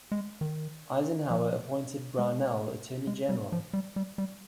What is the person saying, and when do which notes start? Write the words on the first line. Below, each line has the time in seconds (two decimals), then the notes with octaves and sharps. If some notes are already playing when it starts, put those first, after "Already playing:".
Eisenhower appointed Brownell Attorney General.
0.12 G#3
0.41 D#3
1.30 F3
2.19 G#3
3.07 G#3
3.29 G3
3.52 F3
3.73 G3
3.96 G3
4.18 G3